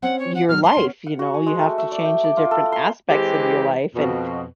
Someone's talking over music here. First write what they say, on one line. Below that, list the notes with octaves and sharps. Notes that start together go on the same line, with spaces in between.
your life, you know? You have to change the different aspects of your life and
C4 C#4 F#5
C#5
F#5
B2 F#3 F6
B4 C6
B3 C#4
F#5
F#4
G#5
G#3
A3
E5
D5
G5
D6
F4
A4
C6
E3 G#3 C4 G4
F2 B2